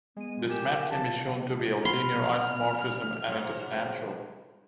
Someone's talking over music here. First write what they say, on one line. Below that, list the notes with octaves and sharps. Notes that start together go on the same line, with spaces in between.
This map can be shown to be a linear isomorphism, and it is natural.
G#3 B3 D#7
G4 A#4 G#5 E7
F5 A5
B5 C6 F6
G#2 F#3